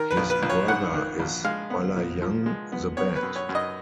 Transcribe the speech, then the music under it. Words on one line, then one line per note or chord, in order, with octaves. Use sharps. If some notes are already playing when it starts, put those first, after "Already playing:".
His brother is Balayang the bat.
Already playing: D#3 A#4
B4
A#1
B4
A#1
C#5
G#2 F#5
D#3
A#1
G#3 F5
B3
A#2
F3
G#3
B3
B3 C#5
B4
F#2
C#5
F#2
D#5